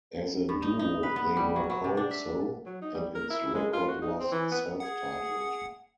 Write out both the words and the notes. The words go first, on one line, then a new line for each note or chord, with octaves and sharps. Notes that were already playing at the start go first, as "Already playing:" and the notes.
As a duo they were called So, and its record was self-titled.
G2
D#4
D#4
B4
B3
G3
F#3
F#3
C3
D4
E5
F#3
D#4
G3
A#4
E4
G#3
F4
F#4
D#4
C4
E3
B3
G#4 F#5